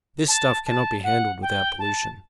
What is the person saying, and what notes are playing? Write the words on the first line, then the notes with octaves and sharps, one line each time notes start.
This stuff cannot be handled without pollution.
A5
A5
F#5
G5
A5